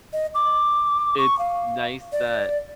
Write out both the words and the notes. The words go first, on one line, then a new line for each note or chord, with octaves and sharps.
it's nice that
D#5
D6
C#6
F5
D5